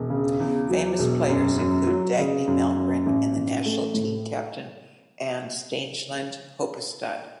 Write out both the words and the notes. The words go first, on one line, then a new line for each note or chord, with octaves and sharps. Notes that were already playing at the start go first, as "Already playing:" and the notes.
Famous players include Dagny Mellgren and the national team captain Ane Stangeland Horpestad.
Already playing: E1
C#3
E2
F#3
E1
F#2
F#2
F#3
C#3
F#2
F#2
A1
A1
A3
A2